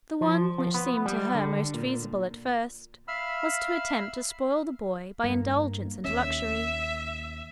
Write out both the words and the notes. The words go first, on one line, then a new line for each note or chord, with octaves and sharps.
The one which seemed to her most feasible at first was to attempt to spoil the boy by indulgence and luxury.
F3
F3
B3
G3
D3
A#2
E5 F5 B5 E6 F6
G2 A#3
D#2 C#4 E5